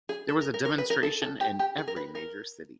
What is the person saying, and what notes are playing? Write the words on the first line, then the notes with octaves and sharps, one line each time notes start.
There was a demonstration in every major city.
G#4
A4
A#4
A#4
A#4
B4
A#4
A4
A4
G4
G4
G#4
A#4
B4
A#4